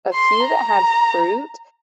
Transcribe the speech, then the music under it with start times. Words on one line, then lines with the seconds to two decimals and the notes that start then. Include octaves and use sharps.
a few that had fruit
0.14 C6
0.44 A#5